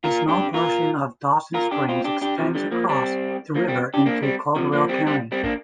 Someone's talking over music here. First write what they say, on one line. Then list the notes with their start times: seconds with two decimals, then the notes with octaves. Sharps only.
A small portion of Dawson Springs extends across the river into Caldwell County.
0.04 F4 A#4
0.29 D4 G4
0.54 F4 A#4
1.54 F4 A#4
1.71 D4 G4
1.89 C4 F4
2.04 D4 G4
2.22 D4 G4
2.38 C3 F3
2.55 D3 G3
2.71 F3 A#3
2.89 G3 C4
3.55 F3 A#3
3.68 G3 C4
3.94 D4 G4
4.06 A#3 D4
4.23 G3 C4
4.56 C3 F3
4.73 F3 A#3
4.89 G3 C4
5.07 G3 C4
5.32 G3 C4
5.44 A#3 D4